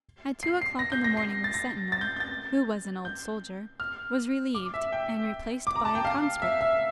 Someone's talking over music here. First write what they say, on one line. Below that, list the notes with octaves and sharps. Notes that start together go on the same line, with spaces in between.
At two o'clock in the morning, the sentinel, who was an old soldier, was relieved, and replaced by a conscript.
C7
C7
A#6
G6
A#6
C7
A6
A#6
A6
G6
G6
A6
G6
F6
D6
E5
G5
D6
A#5
A5
G5
F5
E5
E5